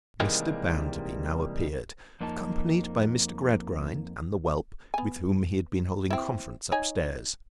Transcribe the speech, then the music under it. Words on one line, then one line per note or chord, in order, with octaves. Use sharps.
Mr. Bounderby now appeared, accompanied by Mr. Gradgrind and the whelp, with whom he had been holding conference up-stairs.
C3 D#3 E3 G3 G#3 A#3
F2 A#3 D#4 A5
B3 G#5
C4 E4
D#4 C#5 G#5